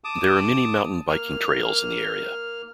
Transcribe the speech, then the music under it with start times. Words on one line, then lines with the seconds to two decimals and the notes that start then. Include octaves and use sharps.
There are many mountain biking trails in the area.
0.04 A5 D6 D#6
1.09 A#3 F6